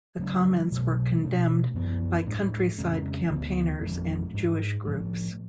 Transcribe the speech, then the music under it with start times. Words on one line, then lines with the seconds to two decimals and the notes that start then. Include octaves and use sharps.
The comments were condemned by countryside campaigners and Jewish groups.
0.19 C#3 F#3 A3 D4
0.72 B2 F#3 A3
1.24 B2 A3 D4
1.74 F#2 F3 B3
2.26 A2 G#3 D4
2.78 F2 C#3 G#3 C#4
3.30 D2 D3 G#3 B3
3.82 F2 F3 G#3
4.34 G#2 G#3 D4
4.86 A2 F3 A3